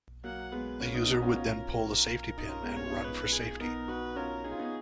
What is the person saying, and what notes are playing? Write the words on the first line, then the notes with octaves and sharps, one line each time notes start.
The user would then pull the safety pin and run for safety.
F#3 A#3 F#5
G#3 B3 B4
A#3 C#4
B3 D#4
B3 D#4 A#4
F#4
C#4 F4
C#4 F4
D#4
C#4 F4 A#4
G#3 B3
A#3 C#4 C#5
F4
B3 D#4
B4
G#4
B3 D#4 A#4
D#4 F#4 B4
C#4 F4 A#4
D#4 G#4
F4
B3 D#4